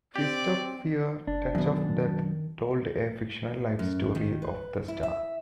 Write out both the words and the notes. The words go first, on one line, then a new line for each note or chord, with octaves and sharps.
"Fist of Fear, Touch of Death" told a fictional life story of the star.
C4 G4 D5
F#1 D4
F#2 B2 D#3
F#2
D#3
B4
E4
E5